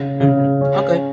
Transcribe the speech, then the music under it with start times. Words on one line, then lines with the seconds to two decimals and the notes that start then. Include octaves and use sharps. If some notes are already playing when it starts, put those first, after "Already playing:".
Mhm. Okay.
Already playing: C#3
0.20 C#3
0.61 C#4